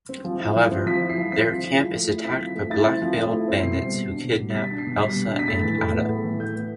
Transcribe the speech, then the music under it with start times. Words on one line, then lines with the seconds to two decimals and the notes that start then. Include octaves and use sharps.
However, their camp is attacked by black-veiled bandits who kidnap Elsa and Ada.
0.09 C4
0.24 F3
0.40 E4
0.56 F3
0.71 C4
0.86 F3 B6
1.01 E4
1.10 C7
1.18 F3
1.32 C4 B6
1.48 F3
1.64 E4
1.79 F3
1.94 A3
2.10 E4
2.24 C4 B6
2.41 F3
2.55 A3
2.70 E4 A6
2.86 C4
3.02 F3
3.17 A3
3.32 E4
3.48 C4
3.63 B2 C7
3.78 G3
3.94 B2
4.10 D4
4.24 B2
4.40 G3
4.50 A6
4.55 B2 B6
4.71 D4
4.78 C7
4.87 B2
5.01 G3 B6
5.16 B2
5.31 D4
5.39 B6
5.48 A2 A6
5.63 E3
5.78 A2
5.94 B3
6.09 A2
6.24 E3
6.39 A2 G6
6.56 B3